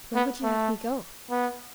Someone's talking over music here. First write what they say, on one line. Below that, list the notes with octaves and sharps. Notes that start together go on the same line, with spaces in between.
"Where would you have me go?"
B3
A3
B3